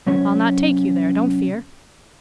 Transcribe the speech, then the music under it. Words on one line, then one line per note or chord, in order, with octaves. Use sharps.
"I'll not take you there, don't fear."
C3 F#3 C#4 C#5